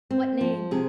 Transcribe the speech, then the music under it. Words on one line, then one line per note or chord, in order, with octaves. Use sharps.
What name?
C4
F3
C3 G#4